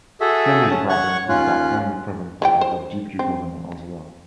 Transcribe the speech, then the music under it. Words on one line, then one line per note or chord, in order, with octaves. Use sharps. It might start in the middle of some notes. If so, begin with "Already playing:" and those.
Flemish Brabant is that only province that has a Deputy Governor as well.
F#4 G#4 A4 E5
C#4 A5
C#5 F#5 C#6
D#2 C#4 F4 F#6
E3 F3 G5
C5
C4